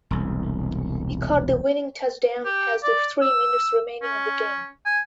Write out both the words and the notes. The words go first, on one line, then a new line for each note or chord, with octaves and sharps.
He caught the winning touchdown pass with three minutes remaining in the game.
E1 C2
G4
D5
E6
C#4
G#5